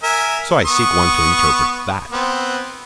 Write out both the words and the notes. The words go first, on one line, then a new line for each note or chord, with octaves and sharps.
So I seek one to interpret that.
A#4 E5 G#5
B3 C#6 D#6
B3 C4